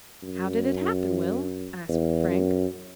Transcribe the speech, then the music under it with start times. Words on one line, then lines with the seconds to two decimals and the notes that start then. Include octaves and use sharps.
"How did it happen, Will?" asked Frank.
0.23 F#2
1.89 E2
2.29 F#2